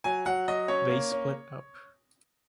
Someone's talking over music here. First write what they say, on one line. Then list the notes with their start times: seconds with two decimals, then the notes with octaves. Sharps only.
They split up.
0.04 F#3 G#5
0.26 F#3 F#5
0.48 F#3 D#5
0.68 C#4 C#5
0.90 A#3
1.12 C#4